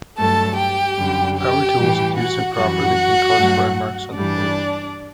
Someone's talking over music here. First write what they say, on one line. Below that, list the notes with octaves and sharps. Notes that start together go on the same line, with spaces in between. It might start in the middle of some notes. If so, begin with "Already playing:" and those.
Power tools, if used improperly, can cause burn marks on the wood.
G2 F#3 A3 A4 A5
G4 G5
F#2 D3 G3
G4 G5
A2 E3 G3
F#4 F#5
F#2 E3 G3 F#4 F#5
G2 F#3 A3
G2 E3 G3 D4 D5